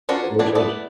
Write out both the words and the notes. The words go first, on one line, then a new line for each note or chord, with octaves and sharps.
that makes sense.
C#4 D4 F4 F#4 A#4
E3 D4 G#4 A5
A3 B3 E4 D5